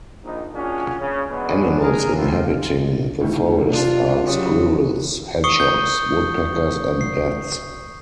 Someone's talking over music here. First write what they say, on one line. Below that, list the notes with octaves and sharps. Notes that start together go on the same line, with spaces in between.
Animals inhabiting the forest are squirrels, hedgehogs, woodpeckers and bats.
A#1 D#4
A#3 C#4 D4 F4 F#4 G#4
C#3 C#4
F#3 G#3 B3 C#4 D4
D4 G#4 A#4
A2 C4 F4
D2 A2 D#3
C3 D4 F4
C#3 F#3 G4
C#6 D#6 C7 C#7 G7
G6
C7